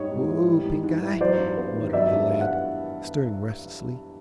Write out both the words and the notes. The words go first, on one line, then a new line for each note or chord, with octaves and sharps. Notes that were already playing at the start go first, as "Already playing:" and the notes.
"Whoa, Pink-eye!" muttered the lad, stirring restlessly.
Already playing: G#2 G3 C#5 D#5
G#2
E3
G3
G#2
G#2
E3
F#3 C5 D5
G2
B3
D#3
F#3 D5 E5
G2
B3 F5
F#5